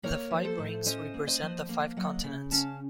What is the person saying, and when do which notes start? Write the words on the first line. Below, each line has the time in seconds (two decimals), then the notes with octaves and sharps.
The five rings represent the five continents.
0.03 A#3 A#4 C#5
0.31 F3
0.44 A4 C5
0.58 A2
0.86 C#4 C5 D#5
1.14 A#3
1.27 C5 D#5
1.42 F3
1.69 A#3
1.97 F#3 D#5 F#5
2.24 C#3
2.51 C#4 F5 A5